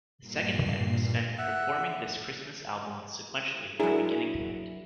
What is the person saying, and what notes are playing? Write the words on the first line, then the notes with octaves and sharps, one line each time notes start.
The second half is spent performing this Christmas album sequentially from beginning to end.
G2 A#2 C7
E5 F#5
F#3 D4 E4 G#4 A#4